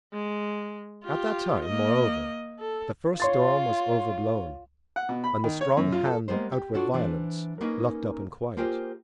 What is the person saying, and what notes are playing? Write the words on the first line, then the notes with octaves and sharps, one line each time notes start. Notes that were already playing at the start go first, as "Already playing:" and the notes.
At that time, Moreover, the first storm was overblown, And the strong hand of outward violence Locked up in quiet.
G#3
F4 G4
A#3 D#5
A4
F4 C#5 C6 A6
F#5
B2
B5
D#3
C#5
F#2
F4
A4
G3 G#3 A#3 B3 A#4 C5
G4
D4 F4 F#4 A4 C#5
E3 D4 B4 C5
A#3 C#4 D#4 G#4 B4
A#3 F4 G4 G#4 A#4 C5